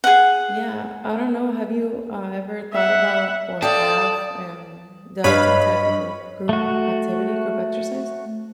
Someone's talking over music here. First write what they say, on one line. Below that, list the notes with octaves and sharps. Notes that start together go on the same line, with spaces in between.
Yeah. I don't know. Have you, ah, ever thought about or have, um, done some type of, like, group activity, group exercise?
G#4 F#5
E5 F#5
A4 D5 F5 G5 A5 D#6
G2 B4 C#5 D#5 F5 B5
A3 F#4